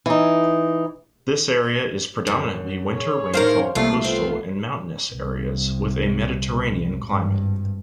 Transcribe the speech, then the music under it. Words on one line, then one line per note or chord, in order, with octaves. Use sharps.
This area is predominantly winter rainfall coastal and mountainous areas with a Mediterranean climate.
E3 D#4
F#2
G#4 C#5
A2 D#3 A#4 C5 F5
C2 F3 A3 A#3 F4 C7
B3 C4 F4
C2
G#1 G2